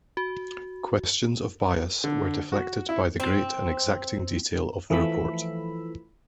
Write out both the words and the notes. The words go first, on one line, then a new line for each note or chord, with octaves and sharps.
Questions of bias were deflected by the great and exacting detail of the report.
F#4
D3
F#4
E4
C4
E3 F3 A3 B5 E6